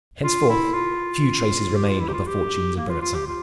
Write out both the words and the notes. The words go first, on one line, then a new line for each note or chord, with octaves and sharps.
Henceforth few traces remain of the fortunes of Verrazzano.
F4
E4
F4
G4
F4
E4
G4
F4
G4
A#3
F4
F4
G4
F4